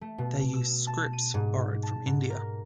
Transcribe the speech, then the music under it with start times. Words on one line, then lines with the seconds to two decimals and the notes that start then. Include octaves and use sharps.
They used scripts borrowed from India.
0.01 A3
0.18 B2
0.53 E6
0.87 A5
1.13 D#7
1.34 G#2
1.83 A5
2.06 G#2
2.30 A#4